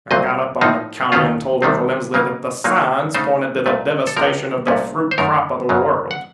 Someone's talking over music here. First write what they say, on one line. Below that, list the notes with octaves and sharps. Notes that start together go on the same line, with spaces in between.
I got up on the counter and told Uncle Emsley that the signs pointed to the devastation of the fruit crop of the world.
C2 A#2 F#3 C4 D#5
A2 F3 C4 D#4
D#2 D#3 A3 C#4 F4
C2 C3 D#3 A3 C4
C#3 F#3 A#3
A#2 F#3 A#3 D#4
C#3 A3 D#4 C5
C2 A#2 A3
A4
C#2 C3 F3 A#4
C2 A#2 A3 C#4
C5
F#2 D#3 A3 A#4
F#2 C#3 F#3
F#5